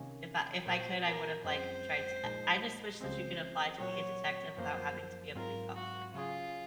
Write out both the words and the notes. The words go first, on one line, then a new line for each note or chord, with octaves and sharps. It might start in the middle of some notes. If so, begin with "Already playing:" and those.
If I if I could, I would have, like, tried to I just wish that you could apply to be a detective without having to be a police officer first,
Already playing: C3 D#3 A#3 C#4
A#2 F3 C4 F#4 C5
A#4
F#2 F3 G#3 C4 C5
A#1 A#2 G#3 D#4
C#2 C#3 F3 G#3 C4 C5
A#2 F#3 C4 F#4 C#5
F#2 F3 A#3 C5
G#2 F#3 C4 F4 A#4
F#4
C#3 F#3 C#4 F4 G#4